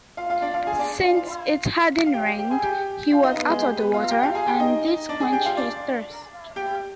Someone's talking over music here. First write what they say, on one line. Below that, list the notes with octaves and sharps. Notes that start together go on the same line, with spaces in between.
Since it hadn't rained, he was out of water and this quenched his thirst.
F4 F5
F4 F5
D4 D5
F4 F5
G#4 G#5
D4 D5
F4 F5
F4 F5
F5
G4 G5
G4 G5
G4 G5
G#4 G#5
G4 G5
F4 F5
D#4 D#5
B3 B4
G#3 G#4
G4
B3 B4
F4 F5
G4 G5
F4 F5
G#4 G#5
G4 G5
D#4 D#5
D4 D5
G#4 G#5
G4 G5
F4 F5
D4 D5
G4 G5